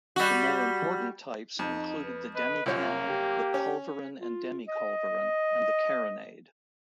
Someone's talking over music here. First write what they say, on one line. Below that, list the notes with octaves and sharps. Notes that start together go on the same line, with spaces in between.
The more important types included the Demi-cannon, the Culverin and Demi-culverin, and the Carronade.
G3 F#4
F2 D#4
B4
B4 D#5
C2 F#2 A#3 F4 C#5
G4
C#4
F4
D#5